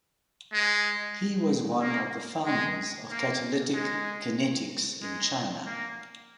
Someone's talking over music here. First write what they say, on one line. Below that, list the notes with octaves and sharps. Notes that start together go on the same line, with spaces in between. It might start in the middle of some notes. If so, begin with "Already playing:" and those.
He was one of the founders of catalytic kinetics in China.
G#3
A#3
G#3
A#3
G#3
G#3
A#3